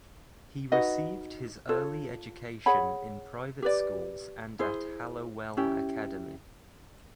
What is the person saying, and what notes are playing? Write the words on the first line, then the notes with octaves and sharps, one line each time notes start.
He received his early education in private schools and at Hallowell Academy.
D#4 F#4 B4 D#5
F4 A4 C#5
G#4 C#5 F#5 B5
G4 B4 D5
E4 G#4 C5
C#4 E4 G4